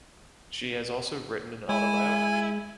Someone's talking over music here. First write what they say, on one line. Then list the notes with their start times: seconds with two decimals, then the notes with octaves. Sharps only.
She has also written an autobiography.
1.69 G#3 E4 G#5